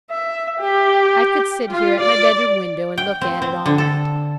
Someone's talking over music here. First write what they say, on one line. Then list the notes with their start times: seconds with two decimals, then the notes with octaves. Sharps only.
I could sit here at my bedroom window and look at it all night.
0.11 E5
0.60 G4
1.71 F4
2.03 D5
2.98 G5
3.22 C4
3.42 C4
3.66 D3
3.78 A4